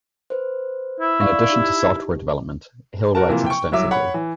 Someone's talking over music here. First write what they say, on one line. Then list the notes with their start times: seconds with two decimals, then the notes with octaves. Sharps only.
In addition to software development, Hill writes extensively.
0.30 B4 C5
1.00 E4
1.20 D5 F5 C#6
1.50 D#4 G4
3.15 F#4 A#4 A5
3.29 C3 E3 F3 A#3
3.46 G5 C#6
3.72 C2 F#3 E5 D6
3.91 C#5 F#5 B5
4.14 E3